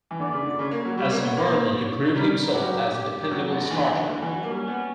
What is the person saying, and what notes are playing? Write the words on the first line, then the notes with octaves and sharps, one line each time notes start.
As a Marlin, he proved himself as a dependable starter.
E3
D3 D5
C#3
D3
C#3 C#5
A#3
F#3
G3 C#5
A#3
B3
A#3
C#5
G3 A#4
F#3 G4
G4
F#3 F#4
D3
E3
D3
E3
D3
E3
F#3
A#3
G3 C#4
B3